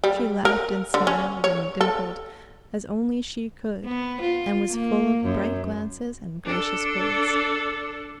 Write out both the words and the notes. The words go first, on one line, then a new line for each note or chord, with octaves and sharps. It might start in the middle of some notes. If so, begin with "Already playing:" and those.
She laughed and smiled and dimpled, as only she could, and was full of bright glances and gracious words.
G3
A#4
D3
C#4
C#5
A4
B3
F4
A#3
F#2
D4 A4